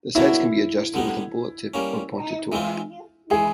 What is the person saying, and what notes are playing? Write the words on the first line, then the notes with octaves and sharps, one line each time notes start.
The sights can be adjusted with a bullet tip or pointed tool.
B2 F#3 A#3 D4 E4
D3 G3 B3 D#4
G3 A#3 C#4
E3 G#3 C4 F4
E3 G#3 G#4